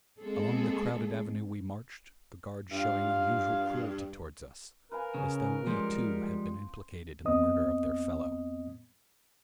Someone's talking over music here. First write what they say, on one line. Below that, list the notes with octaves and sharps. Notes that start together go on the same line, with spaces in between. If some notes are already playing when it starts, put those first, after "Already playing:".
Along the crowded avenue we marched, the guards showing unusual cruelty toward us, as though we, too, had been implicated in the murder of their fellow.
G#3 A#3 C4 G#4 A4
G2 F4 F5
A#4 B4 F5 G#5
C#3 C#4
F3 G3 G#3 C5
F2 B3 C4 D#5 D#6